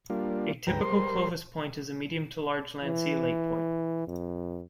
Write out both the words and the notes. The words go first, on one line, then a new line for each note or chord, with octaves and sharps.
A typical Clovis point is a medium to large lanceolate point.
G3 A#3 D4 F4
D2 G#2 B4 G5 A#5
G3 A#4 C5 C6
E3
F2